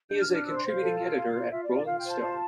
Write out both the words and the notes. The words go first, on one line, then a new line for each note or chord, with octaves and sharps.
He is a contributing editor at "Rolling Stone".
D4 G6
F6
D4
F6
C5 E6
C6
C5
F5
A4
F4
F4
F4
F4 E5
D5
F4
D5
F4 F5
G5
C5
A5
F4 A5